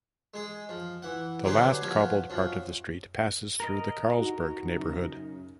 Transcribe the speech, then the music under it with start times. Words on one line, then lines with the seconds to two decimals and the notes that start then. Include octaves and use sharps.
The last cobbled part of the street passes through the Carlsberg neighbourhood.
0.34 G#3 G#4
0.69 F3
1.02 E3 F#5
1.44 D3 F#3 G4 G#4 B4 C5
1.81 B2 F3 B3 G#5
2.30 F#2 F3
3.60 A#4 D#5
4.18 D#4 F#4
4.73 F#2 C#3 D#4